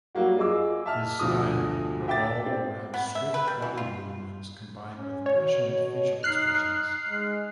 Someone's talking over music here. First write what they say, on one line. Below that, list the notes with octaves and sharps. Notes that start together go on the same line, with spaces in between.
His style revolved around swift body movements combined with passionate facial expressions.
F#3 G3 A#3 F#4
F4 G#4 D#5 D6 E6
E5 A5 F6
D2 B2 F3 D#6
E5 G5 D6 A6
C4
B3
E5
B4
G3
E3
F4
C#4
B2 C#5
D#4 F6 F#6 C7
G#3